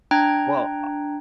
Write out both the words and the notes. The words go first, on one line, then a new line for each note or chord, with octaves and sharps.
Well, ah
D4 G5 A#5 F#6 G#6